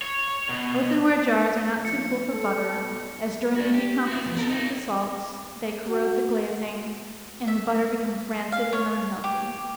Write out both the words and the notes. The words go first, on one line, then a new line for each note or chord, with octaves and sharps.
Earthen-ware jars are not suitable for butter, as during the decomposition of the salts, they corrode the glazing; and the butter becomes rancid and unhealthy.
C#5
B2
A#2 F3 C#7
A4
B1 B2
D4 F#4
G4
E4 F#4
E2 F3
A4 A#4
D#4 F4
F#4
E5
F5
C#5
G4